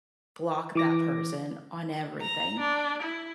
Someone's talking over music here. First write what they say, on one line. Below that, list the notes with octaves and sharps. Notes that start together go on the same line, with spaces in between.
block that person on everything,
E3 D6 A#6
A#5
D4
E4